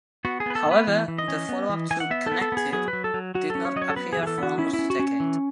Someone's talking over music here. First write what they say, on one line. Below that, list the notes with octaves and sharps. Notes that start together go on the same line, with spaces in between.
However, the follow-up to "Connected" did not appear for almost a decade.
B3 F#4
G#4
B3 B4
A4
B3
B4
E3
E3
D#5
C#4
B3
E3
E3 G#5
F#5
B3 E5
A4
B3
A4
B3 G#4
F#3 G#4
B4
F#3
A4
F#3
F#3 F#4
C#4 A4
C#5
F#3 D#5
C#5
A4
B3 B4
G#4
E3
G#4
A4
B3 F#4
C#4 E4
E4
C#4
F#4
C#4
E3